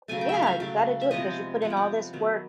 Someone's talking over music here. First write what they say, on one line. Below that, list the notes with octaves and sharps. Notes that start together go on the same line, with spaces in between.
Yeah, you gotta do it because you put in all this work
C#3 F#3 A3 G#5
G5
E5 F5
E5 F5
C#3 F#3 A3
E5
C3 F3 G#3 B3 D#5
C3 F3 G#3 B3 F#5
G5
F#5
D#3 F#3 B3